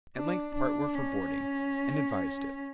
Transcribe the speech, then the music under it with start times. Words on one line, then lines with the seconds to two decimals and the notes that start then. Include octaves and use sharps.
At length part were for boarding, and advised it.
0.16 D4
0.55 D4
0.94 C#4